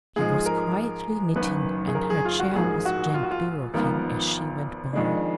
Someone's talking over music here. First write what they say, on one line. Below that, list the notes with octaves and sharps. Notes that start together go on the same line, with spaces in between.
She was quietly knitting, and her chair was gently rocking as she went by.
G#2 F3 G#3 G#4
A#4
F#1 F#2 D#3 B4
G#4
A#4
G#4
F4
F#4
A#1 G#2 F3 A#3 G#4
F#4
F4
F#4
F4
G#1 G#2 F3 B3 F4 A#4
F2 D#3 G#3 D4